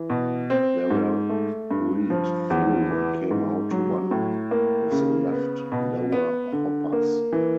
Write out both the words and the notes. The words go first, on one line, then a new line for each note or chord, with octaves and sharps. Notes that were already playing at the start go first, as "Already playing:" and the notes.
They were read thru and came out to one of the left lower hoppers.
Already playing: E3
B2
C4
G#2
A3
G2
F3
E2
E3
G#2
F#3
A2
A#3
C#3
B3
B2
B3
D3
A#3
E3